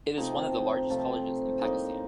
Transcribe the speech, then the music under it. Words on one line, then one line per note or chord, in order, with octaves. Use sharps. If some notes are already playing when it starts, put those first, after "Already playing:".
It is one of the largest colleges in Pakistan.
C3 F3 A3 C4 D#4
C3 F3 A3 C4
A2 G3 A#3 D#4